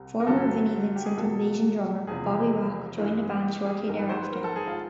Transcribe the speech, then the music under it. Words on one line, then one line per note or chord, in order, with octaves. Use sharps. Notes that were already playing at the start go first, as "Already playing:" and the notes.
Former Vinnie Vincent Invasion drummer Bobby Rock joined the band shortly thereafter.
Already playing: C2 C3 G3 C4
A#4
G2 D3 F#3 A4
G4
G#4
E2 B2 F#3 A#3 A4
E1 E2 C3 F3 G#4
G2 E3 G#3
G4
G#4
A#1 G#2 D#3 A#4
B4
C5
B4
A#4
A4
G#4
F4